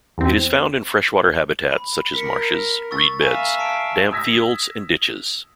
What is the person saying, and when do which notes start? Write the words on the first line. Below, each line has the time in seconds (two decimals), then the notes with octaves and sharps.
It is found in freshwater habitats such as marshes, reedbeds, damp fields and ditches.
0.18 E2 C4
1.71 B5
2.14 A#4 B6 C#7
2.91 C#6 E6 A6
3.21 E5 F5 G#5 A#5 D#7
3.58 A5 C7 D7
4.11 D#6 E6 G#6 A#6 B6